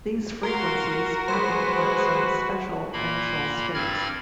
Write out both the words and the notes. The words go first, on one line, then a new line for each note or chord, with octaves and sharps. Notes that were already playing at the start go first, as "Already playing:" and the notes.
These frequencies happen at some special initial states.
F#4 A#4 F5 C6
F#3 G#3 B4 C5
A#2 A#3 B5
G2 C4 B5 F6 G#6 A6